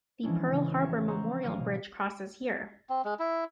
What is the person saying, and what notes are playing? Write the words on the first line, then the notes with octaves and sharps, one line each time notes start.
The Pearl Harbor Memorial Bridge crosses here.
E3 F3 G#3 C#4 D4 E4
A1 C#3
F3 B3 G4 A4 C#5 E5
C5 F#5 A#5 C6 C#6 E6
G#1 F#3 F5 F6 D#7
B2
C4
G#3
E4